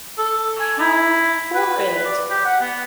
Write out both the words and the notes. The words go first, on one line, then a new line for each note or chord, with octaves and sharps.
How horrid.
A4
G#5
E4
B4
D5
G4
F#5
B3